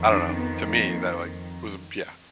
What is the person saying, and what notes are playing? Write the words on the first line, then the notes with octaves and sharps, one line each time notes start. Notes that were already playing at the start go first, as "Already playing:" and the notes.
I don't know, to me, that, like, was b yeah.
Already playing: F2 D#3
D4
B3
A#3